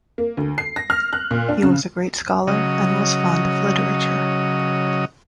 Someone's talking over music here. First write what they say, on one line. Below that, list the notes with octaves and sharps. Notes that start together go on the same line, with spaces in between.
He was a great scholar and was fond of literature.
A#3
D2
C7
A#6
F6
F#6
A#2
D4
C#3
C#3 F#3 D#5